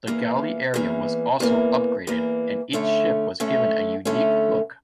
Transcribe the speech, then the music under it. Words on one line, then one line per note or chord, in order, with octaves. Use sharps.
The galley area was also upgraded and each ship was given a unique look.
E2 E3 A#3
E2 E3 A#3
E2 E3 A#3
E2 E3 A#3
D3 A3 C#4
D3 A3 C#4
D3 A3 C#4